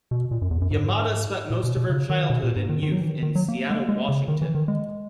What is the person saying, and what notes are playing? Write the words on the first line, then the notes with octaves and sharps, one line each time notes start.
Yamada spent most of her childhood and youth in Seattle, Washington.
B2
A#2
F#2
E2
F#2
G#2
A#2
B2
B2
C#3
D#3
B2
A#2
G#2
D#3
D#3
F#3
E3
D#3
D#3
F#3
A#3
G#3
A#3
G#3
C#3
D#3
E3
D#3
G#3